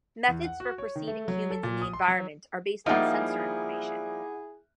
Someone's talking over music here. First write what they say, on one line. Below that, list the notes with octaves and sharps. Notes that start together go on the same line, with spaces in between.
Methods for perceiving humans in the environment are based on sensor information.
E2
F#5
F#4
C#5
D#3
A3
F#3
A4
A#2
D#6
C6
F#3
F3 G3 A#3 D#4 E4 G#4 E5 F#5